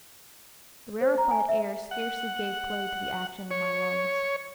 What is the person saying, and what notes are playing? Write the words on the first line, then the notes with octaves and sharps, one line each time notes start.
The rarefied air scarcely gave play to the action of my lungs.
C5
A#5
G#5
E5
F#5
C#5